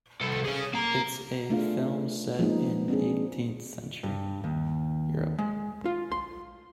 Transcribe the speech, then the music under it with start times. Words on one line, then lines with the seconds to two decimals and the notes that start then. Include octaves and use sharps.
It's a film set in eighteenth century Europe.
0.21 C2 A4
0.44 G#4 C#5
0.74 A#3 A#5
1.50 A3 B3 D4 F4 G#4 F5
2.39 F3 G#3 A#3 B3 C#4 D#4
2.88 C4 D4 G#4
4.03 G2
4.44 D#2
5.38 G#3
5.85 F4
6.12 C6